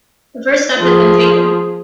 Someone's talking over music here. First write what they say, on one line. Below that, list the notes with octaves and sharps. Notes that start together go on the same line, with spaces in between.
The first step had been taken.
F3 G#4